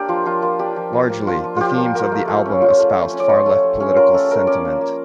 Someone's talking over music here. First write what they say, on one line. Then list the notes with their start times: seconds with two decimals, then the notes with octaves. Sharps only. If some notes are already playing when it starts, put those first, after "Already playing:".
Largely, the themes of the album espoused far-left political sentiment.
Already playing: A#3 D4 G4 A#4
0.08 F3 F4
0.25 F3 F4
0.42 A#3 F4
0.59 D4 G4
0.76 F3
0.93 F3
1.09 A#3
1.27 D4 F4
1.44 F3
1.56 F3 F4 G4
1.77 A#3
1.94 F4 A#4
2.12 A3
2.28 A3
2.45 C#4
2.62 F4
2.79 A3
2.95 A3
3.12 C#4
3.20 D5
3.29 F4 C#5
3.46 A3
3.63 A3
3.80 C#4
3.96 F4 A#4
4.14 A3 A4
4.31 A3 A#4
4.47 C#4 D5
4.65 A#3
4.81 A#3